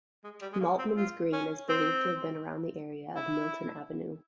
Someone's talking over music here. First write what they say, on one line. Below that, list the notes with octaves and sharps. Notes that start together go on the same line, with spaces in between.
Maltmans Green is believed to have been around the area of Milton Avenue.
G#3
G3
G#3
A#3
C4
F4
C#4
C4
E4